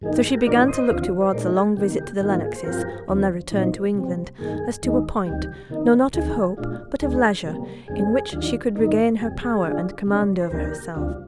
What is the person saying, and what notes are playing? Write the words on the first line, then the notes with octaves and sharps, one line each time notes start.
So she began to look towards a long visit to the Lennoxes, on their return to England, as to a point--no, not of hope--but of leisure, in which she could regain her power and command over herself.
G2 D#3 A#3 D#4 G#4
G4
G#4
G4 A#4
G#2 D#3 A#3 D4 F4 A#4 D5
C5 D#5
D#2 D3 F3 C4 F4
C5
A#2 G#3 D#4 A#4 D5
G#4
C3 D#3 A#3 G4
G4
G#2 D#3 A#3 F4 G4
G#4
C5
G2 F3 C4 F4 G4 A#4
D#2 D3 F3 C4
A#2 F3 C4 D#4
C3 G3 C4
G2 D#3 A#3 G#4
D#2 D#3 G#3 D#4
D2 C3 D#3 G3 G4
C3 D#3 A#3 D#4
D2 C3 D#3 G#4
A#2 G#3 D4 F4
D2 D3 G#3 D4 G#4
C3 G3 A#3
F2 D3 G#3 C4 G#4
D#2 D#3 G3 D4 F4
G#2 D#3 A#3 D#4
F2 C3 G3 G#4
G#4
D3 G3 D4 F4
C3 G3 D4
C5
D2 C3 D#3 A#3 D4 G4 A#4
D2 C3 G3 D4 F4